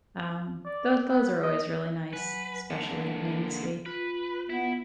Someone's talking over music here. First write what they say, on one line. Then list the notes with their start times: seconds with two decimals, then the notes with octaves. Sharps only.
um, tho those are always really nice, special evenings. We
0.65 D5
1.09 B3
1.42 D#5
2.13 F#3 B4 G#5
2.71 D3 A#3
3.86 F4 B4
4.50 B3 E4